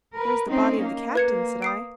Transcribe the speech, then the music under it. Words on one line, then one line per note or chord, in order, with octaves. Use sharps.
"There is the body of the captain," said I.
A#4 B4
C4 C#4 D#4
A#3
B4 G#6 C#7
D#6 C7 D7